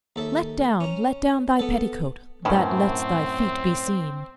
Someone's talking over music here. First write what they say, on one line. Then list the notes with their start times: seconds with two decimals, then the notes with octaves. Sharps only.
'Let down, let down thy petticoat That lets thy feet be seen.'
0.16 D#2 A4 E5
0.80 C#4 A#5
1.59 B3 A4
2.45 F#2 A2 D#3 E3 C4 C#4